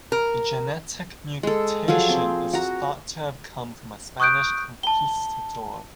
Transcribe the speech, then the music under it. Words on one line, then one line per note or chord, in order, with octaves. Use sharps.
The genetic mutation is thought to have come from a Spanish conquistador.
A#4
G#3 A4
F3 F#3 G#4 A4
C4
F#4 A#5
C#6 D#6 F#6 G6 D7
A5 G7